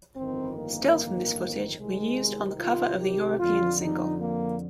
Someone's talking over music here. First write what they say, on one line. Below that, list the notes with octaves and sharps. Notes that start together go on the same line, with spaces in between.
Stills from this footage were used on the cover of the European single.
G1 F2 D#3 C4
A#3
C2 C3 D#3 G#3
F4
G4
F2 D3 F3 F4
D#4
A#3